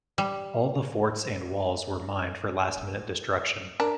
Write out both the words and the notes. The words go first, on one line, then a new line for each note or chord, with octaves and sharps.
All the forts and walls were mined for last-minute destruction.
G3
D4 A#4